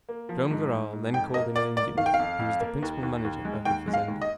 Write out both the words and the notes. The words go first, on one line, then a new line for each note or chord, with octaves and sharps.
Joam Garral then called in an Indian who was the principal manager of the fazenda.
A#3
F3
G#2
G#2
G#2
F2 G5
A#3 D#5
A#3 D5
A#3 D5
D#3 F5
G5
F5
F2
F2
A#3
D#2
D#2
D#2
G#3
D#2 G5
G#3
F5
D#2
D#5